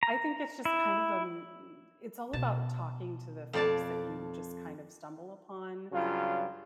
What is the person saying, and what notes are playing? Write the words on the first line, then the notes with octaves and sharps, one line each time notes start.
I think it's just kind of a m m It's all about talking to the folks that you just kind of stumble upon
A#5
E4
B2 A5
F2 D5 A5
G2 C#3 F#3 F4